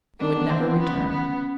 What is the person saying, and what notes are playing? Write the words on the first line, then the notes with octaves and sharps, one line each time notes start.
It would never return.
C4 D4
B3
A#3 C4
B3
B3 C#4
B3